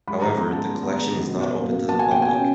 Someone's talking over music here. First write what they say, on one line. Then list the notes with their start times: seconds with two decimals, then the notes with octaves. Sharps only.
However, the collection is not open to the public.
0.08 G#3 B5
0.22 D#3 A#5
0.37 B3 A#5
0.53 G#3 A5
0.68 G#3
0.82 B3
0.98 G#3
1.13 D#3
1.28 B2
1.43 F#3
1.58 A#3
1.72 A#3
1.88 A#3 A5
1.99 A#3 G#5
2.11 G5
2.18 B2 G#5
2.34 C#4